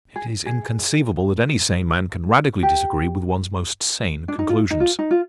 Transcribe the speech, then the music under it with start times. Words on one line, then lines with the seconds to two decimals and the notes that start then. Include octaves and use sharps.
It is inconceivable that any sane man can radically disagree with one's most sane conclusions.
0.16 G#4
0.46 G#4
2.63 G4
4.28 D4
4.39 D#4
4.49 F4
4.71 D#4
4.80 F4
4.99 D#4
5.11 F4